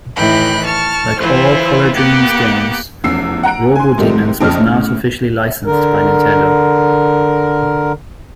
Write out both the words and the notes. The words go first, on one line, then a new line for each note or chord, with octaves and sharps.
Like all Color Dreams games, Robodemons was not officially licensed by Nintendo.
A2 D#3 E3 G5 B5 F#6
A5 C#6 F6
E3 E4 F4 C5
A#3 B3 G4 F#5
F1 E2 C#4 E6 C7
F#5 A#5 F#6 D7
G#5 C6
G#2 C3 D#3 F3 G3 A3
A#1 F2 C#3 F6
A2 C#3
D3 A#4